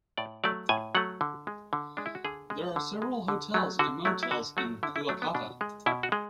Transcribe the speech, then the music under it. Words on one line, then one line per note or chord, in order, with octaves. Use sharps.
There are several hotels and motels in Kuakata.
A2 D5
F#3 A3 D5
A2 G#5
F#3 A3 F#5
D3
G#3
D3
G#3 D4
E4
F#4
D3 G#4
G#3
D3
G#3
D3
F#3 A3
D3 F#4
F#3 A3 E4
E4
D3 F#4
F#3 A3 F#4
D3 E4
E4
F#3 A3 D4
B3
B2 D4
G#3
B2 E4
F#4
G#3